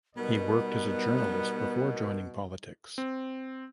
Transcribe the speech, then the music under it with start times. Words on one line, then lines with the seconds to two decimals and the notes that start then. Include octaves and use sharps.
He worked as journalist before joining politics.
0.17 B2 G3 B3 D#4 A#4
2.98 C4